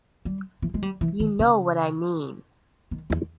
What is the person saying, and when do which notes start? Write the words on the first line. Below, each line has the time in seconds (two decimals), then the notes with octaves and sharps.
You know what I mean.
0.25 G3
0.62 E3
0.74 G#3
0.83 G3
1.01 E3
1.20 D#3
1.40 C#3
2.91 D#3
3.10 E2